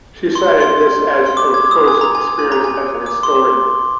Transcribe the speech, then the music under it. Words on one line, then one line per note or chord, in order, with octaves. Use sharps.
She cited this as her first experience as a historian.
C6
C6
C6
D6
G#6
D#6
G#5
A#5
G#5
G#5
A#5
G#5
D6
C6